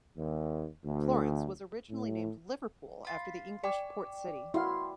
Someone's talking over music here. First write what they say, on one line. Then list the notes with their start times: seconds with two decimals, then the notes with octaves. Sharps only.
Florence was originally named Liverpool after the English port city.
0.17 D#2
0.85 D2
1.90 A2
3.05 F4 B5
3.63 D5 G5 C#6 D6
4.54 E4 F#4 F5 C6